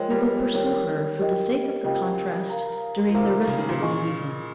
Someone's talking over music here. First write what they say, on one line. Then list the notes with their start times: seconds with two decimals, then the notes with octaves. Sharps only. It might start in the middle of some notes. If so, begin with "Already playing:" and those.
We will pursue her for the sake of the contrast during the rest of the evening.
Already playing: F3 G#3 A#4 C#5 G5
0.10 G3 A#3
0.32 F3 G#3
0.54 D#3 G3 A#4 C#5 G5
1.19 G4 A#4 D#5 G5
1.84 C#3 F3 G4 A#4 D#5 G5
2.50 A#4 F5 A#5
3.09 F3
3.14 C3 D#3 A#4 F5 A#5
3.48 C#3
3.58 D#3
3.69 A#2 C#3
3.80 G#4 D#5 G#5 C#6